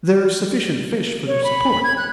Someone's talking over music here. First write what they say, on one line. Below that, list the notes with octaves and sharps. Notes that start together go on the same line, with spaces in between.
There are sufficient fish for their support.
C#5
B5
B5
G#6
F#6